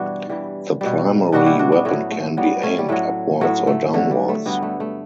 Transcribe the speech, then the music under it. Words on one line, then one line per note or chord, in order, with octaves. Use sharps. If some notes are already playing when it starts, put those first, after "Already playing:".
The primary weapon can be "aimed" upwards or downwards.
Already playing: G2 B2 E3 G3 D4 F#4
G2 E3 G3
B2 G3
B2 G3 D4 F#4
E4 G4
D4 F#4
B3 D4
A2 F#3 A3 C#4
A3
A2 F#3 G3 B3
A3 C#4
G3
A2 F#3 A3
A2 F#3 A3
A3
G2 D3 F#3 A3
G3
A3
G2 D3 F#3 G3 B3
A3
A3